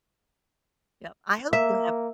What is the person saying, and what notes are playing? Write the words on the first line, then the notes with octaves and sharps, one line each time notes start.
Yep. I hope you have
A#3 E5